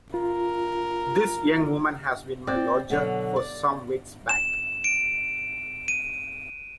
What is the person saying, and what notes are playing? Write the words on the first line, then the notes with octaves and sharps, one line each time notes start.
This young woman has been my lodger for some weeks back.
F4 A#4
C4 D5
B2 D3 F#3
D5
E7
D7
D#7